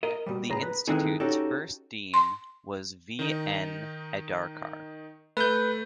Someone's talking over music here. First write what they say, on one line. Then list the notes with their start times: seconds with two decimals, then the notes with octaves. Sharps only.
The Institute's first dean was V. N. Adarkar.
0.03 A#4 D#5
0.26 B2 G3
0.49 C#2 A2 G#4 A#5
0.62 B4
0.88 D#3 E3 G#3 C4 G#4 A4
1.20 C#4 D#4 F#4 G4 A4
2.14 C6
3.19 D#3 D#4
5.37 A3 B4 G6